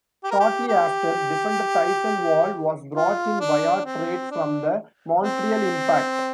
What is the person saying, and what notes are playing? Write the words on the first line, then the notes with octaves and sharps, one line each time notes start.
Shortly after, defender Tyson Wahl was brought in via trade from the Montreal Impact.
G4
A#4
G4
G4
F4
D4
C4
D4
C4